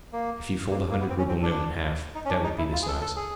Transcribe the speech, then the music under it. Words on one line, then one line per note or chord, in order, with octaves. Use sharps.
"If you fold a hundred-rouble note in half, that would be the size."
A#3
A#3
A#3
B3
C4
C#4
C4
D4
D#4
C#4
D4
D#4
E4
F4
G#4
A4
A4
G#4